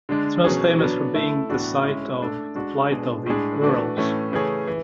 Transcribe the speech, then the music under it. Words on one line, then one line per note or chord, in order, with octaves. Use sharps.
It is most famous for being the site of the Flight of the Earls.
D3 G#3 D4
B2 F#3 C#4 G#4
F#3 B3 D4
A3 E4 A4
A2 E3 B3 D4 F#4
G#3 C#4 E4
A3 D4 A4
G#3 D4 F#4
B2 G#3 D4 G#4
A2 G#3 D4 G#4
E3 A3 D4 F#4
A2 E3 A3 C#4
C#3 E3 A3 C#4 G#4
E3